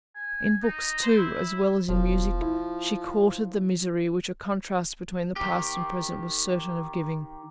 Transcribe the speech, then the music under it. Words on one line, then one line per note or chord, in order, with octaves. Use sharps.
In books too, as well as in music, she courted the misery which a contrast between the past and present was certain of giving.
G#5
D#4
C5
E4
E1 F3
E4
D#3 G4